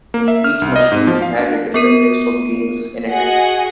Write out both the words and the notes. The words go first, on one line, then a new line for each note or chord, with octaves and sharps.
Each machine had a different mix of games in it.
A#3
E5
F6
C2
D#5
G#2
F3
F5
D4
B3 A#4 D#7
F#4 G#4 D#5 F#5